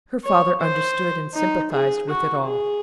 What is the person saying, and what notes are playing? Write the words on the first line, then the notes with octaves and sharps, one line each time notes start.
Her father understood and sympathized with it all.
C#5
C5
D#4
G#4
F#4
G#4